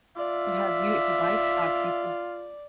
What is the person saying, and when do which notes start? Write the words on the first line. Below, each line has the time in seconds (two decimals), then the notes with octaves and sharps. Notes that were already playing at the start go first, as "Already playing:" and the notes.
Have you if you buy stocks, you should
0.16 F4 D5 E5